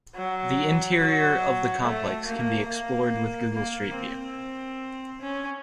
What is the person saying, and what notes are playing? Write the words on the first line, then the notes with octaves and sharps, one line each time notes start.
The interior of the complex can be explored with Google Street View.
F#3
F#3
A3
A#3
A#3
A#3
C4
C#4